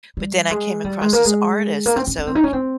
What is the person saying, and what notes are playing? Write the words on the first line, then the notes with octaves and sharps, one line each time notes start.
But then I came across this artist, and so
G3
G#3
G3
G#3
A#3
G#3
A#3
C4
C#4
C#4
C4
D#4
C#4
C4